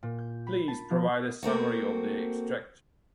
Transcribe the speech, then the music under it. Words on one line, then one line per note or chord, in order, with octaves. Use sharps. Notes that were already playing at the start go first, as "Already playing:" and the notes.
Please provide a summary of the extract.
A#2
G6
B5
A5
F3
A3 A#3 C4 F#4